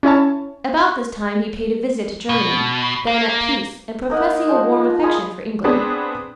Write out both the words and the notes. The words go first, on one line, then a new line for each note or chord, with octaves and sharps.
About this time he paid a visit to Germany, then at peace and professing a warm affection for England.
C#4 E4 C#5 A5
B2
A#3
A#3 D#4 D#5 F#5
F3 G#3 C5
F4 G#4 B5 D#6
B3 C4 D4 G#4 B4